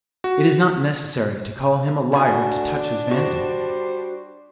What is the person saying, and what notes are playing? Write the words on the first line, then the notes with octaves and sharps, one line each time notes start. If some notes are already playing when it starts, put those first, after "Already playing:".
It is not necessary to call him a liar to touch his vanity.
F#4
D2 D4 F#4 G#5
G3 F#4 C5